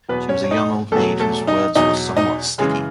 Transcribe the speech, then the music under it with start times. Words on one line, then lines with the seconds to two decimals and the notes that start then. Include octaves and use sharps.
She was a young old maid whose words were somewhat sticky.
0.09 E2 B2 F#3 B3 B4
0.29 C#4 C#5
0.44 C#5
0.51 D#4 D#5
0.92 E2 B2 F#3 A3 A4
1.19 A3 A4
1.47 D#4 D#5
1.75 E2 B2 F#3 D#4 D#5
2.17 D#4 D#5
2.58 F#2 C#3 E3 G#3 G#4